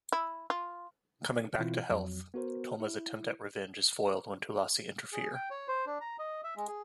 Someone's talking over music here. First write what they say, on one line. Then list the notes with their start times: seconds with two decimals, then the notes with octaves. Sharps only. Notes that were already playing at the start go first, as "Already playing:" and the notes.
Coming back to health, Thoma's attempt at revenge is foiled when Thulasi interfere.
0.12 E4
0.50 F4
1.58 B2 E3 C4 E4 F4
1.89 F2 F#3
2.34 B3 F#4 A#4 C5
2.80 E4
5.13 G#4
5.35 G5
5.50 C#5
5.68 C5
5.86 D4
6.01 A#5
6.19 D#5
6.44 E5
6.56 G#3
6.68 G#4